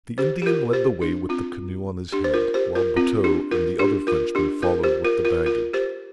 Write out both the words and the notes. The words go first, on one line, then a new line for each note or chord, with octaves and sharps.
The Indian led the way with the canoe on his head, while Buteux and the other Frenchman followed with the baggage.
G4 C5
G4
F4 A#4
G4 C5
D4
C4 F4
D4 G4
C5
F4 A#4
G4 C5
F4 A#4
C4 F4
D4 G4
F4 A#4
D4 G4
F4 A#4
D4 G4
F4 A#4
G4 C5
F4 A#4
F4 A#4
F4 A#4
G4 C5